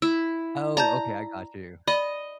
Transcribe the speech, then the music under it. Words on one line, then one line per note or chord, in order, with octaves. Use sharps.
Oh, okay. I got you.
E4 E6
D5 A5 A#5 G6
D5 D#5 B5